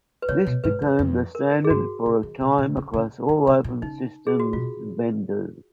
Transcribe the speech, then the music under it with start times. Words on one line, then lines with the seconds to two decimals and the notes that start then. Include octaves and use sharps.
This became the standard for a time across all open systems vendors.
0.22 B4
0.28 C#3 C#5
0.47 B2
0.64 G#2 B4
0.82 F2
0.99 F2
1.35 A#4
1.64 G#4
1.70 G#2 F#4
2.06 C#3
2.23 D#3
2.41 B2
2.58 A#2
2.77 C#3
2.94 C#3
3.29 D#3
3.47 C#3
3.64 A#2
3.82 C#3 D#4
4.27 G#4
4.40 F#4
4.53 B2 F4